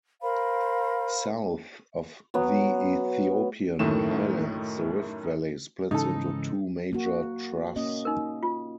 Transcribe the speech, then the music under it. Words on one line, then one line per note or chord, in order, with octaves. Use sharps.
South of the Ethiopian highlands, the rift valley splits into two major troughs.
A#4 C5 F5 B5
F#3 B3
F#2 A2 D#3 A3 E7
G#2 C#3 E3 D#4 A4
A#3 F#4
A#3 C#4 D#5
D#4 A#4
F4